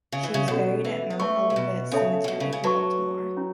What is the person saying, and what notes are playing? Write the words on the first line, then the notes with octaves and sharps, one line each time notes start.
She was buried at Mount Olivet Cemetery in Baltimore.
C#3
E3
C#3
B2 C#4 F#4 A4 C#5 F#5
E3
B3
A3 B4 E5 A5 C#6
C#3
B2
C#3 C#4 A4 C#5 E5 A5
C#3
B2
C#3
C#3
F#3 B4 A5 C#6
C#4 E4